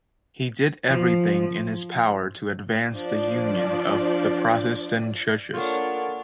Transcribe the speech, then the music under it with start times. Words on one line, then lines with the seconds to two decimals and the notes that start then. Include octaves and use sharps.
He did everything in his power to advance the union of the Protestant churches.
0.90 F3
2.92 F3 D4 D5
5.54 A#3 D4 F4 A4 A#4 C#5 F#5